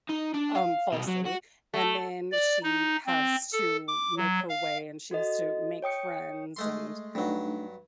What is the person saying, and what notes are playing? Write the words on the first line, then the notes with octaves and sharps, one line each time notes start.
um, falsely and then she has to make her way and she has to make friends and,
D#4
D4
F5
C2 B2
F#3
F#4
A3
D5
D#4
C4
A4
D6
F#3
F5
F#4 A4 D#5
C#5 G5 D#6 C#7
G#3 A3 C6
D#5
G2 F#3 A3 D4 D#4